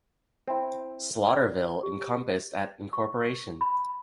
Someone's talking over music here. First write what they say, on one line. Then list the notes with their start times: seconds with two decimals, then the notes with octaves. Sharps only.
Slaughterville encompassed at incorporation.
0.48 C4 E4
1.29 D5
1.83 G4
2.93 C#6
3.61 B5